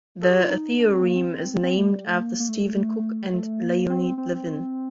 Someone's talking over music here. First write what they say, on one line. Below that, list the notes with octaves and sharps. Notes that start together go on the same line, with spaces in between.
The theorem is named after Stephen Cook and Leonid Levin.
A4
G4
F4
D#4
D4
C4
A#3
C4
C4
A3
G3
A3
A#3
A#3
A3
A3
A#3
C4
C4